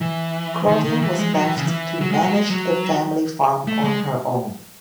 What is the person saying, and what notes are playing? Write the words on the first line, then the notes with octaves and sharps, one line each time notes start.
Claudia was left to manage the family farm on her own.
E3
D#3
D#3
E3
G#3
F#3
E3
C#3
E3
F#3
G#3
F#3
G#3
F#3
A3
G#3